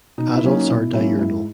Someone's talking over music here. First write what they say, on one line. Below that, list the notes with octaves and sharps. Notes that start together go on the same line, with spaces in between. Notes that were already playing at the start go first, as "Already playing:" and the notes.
Adults are diurnal.
B2 D#4
E4
F#3 A#3 C#4
D#4
B2 E4
F#3 A#3 C#4 E4
G#2 E4